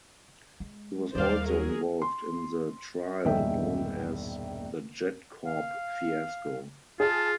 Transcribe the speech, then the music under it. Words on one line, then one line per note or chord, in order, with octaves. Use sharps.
He was also involved in the trial known as the JetCorp fiasco.
G#3
D#2 G3 C5 D5 F5
F#3 G#4 A#4
C6
E1 A#1 G2 D#3 E5 G5
F5
F4 G#4 A5